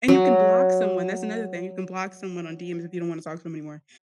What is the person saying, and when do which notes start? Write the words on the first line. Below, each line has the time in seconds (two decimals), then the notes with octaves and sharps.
And you can block someone, that's another thing, you can block someone on DMs if you don't wanna talk to them anymore,
0.08 F#3